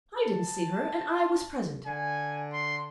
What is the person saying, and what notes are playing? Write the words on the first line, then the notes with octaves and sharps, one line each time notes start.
"I didn't see her, and I was present."
A5
D3 G#5
C6